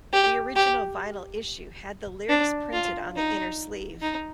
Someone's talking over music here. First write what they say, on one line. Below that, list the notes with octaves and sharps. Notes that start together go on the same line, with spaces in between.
The original vinyl issue had the lyrics printed on the inner sleeve.
G4
G4
D4
F4
D#4
D#4